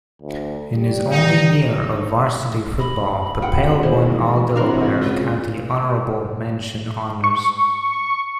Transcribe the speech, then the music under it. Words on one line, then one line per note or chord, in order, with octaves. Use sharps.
In his only year of varsity football, Papale won All-Delaware County Honorable Mention honors.
D2
G3
D#4
D#5 B5
G#1 F4 F#5 G5
E3 G#3 A#3 G#4 C5 C#5
C3 E3 D4 F#4 A#4 C5 B5
C#2 F4
C#6